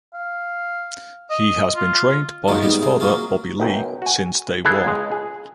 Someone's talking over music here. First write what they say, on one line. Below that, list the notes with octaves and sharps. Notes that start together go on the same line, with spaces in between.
He has been trained by his father Bobby Lee "since day one".
F5
D#5
F4
D#3 F#3 G#3 A#3 F4
G#2 G3 B3 D#4
C3 G#4
F#3 A#3 C#4 F4 G#4
B1 F#2 G5
F#4 G#5
E4 G#4 A4 B4
C#2 G#3
G#4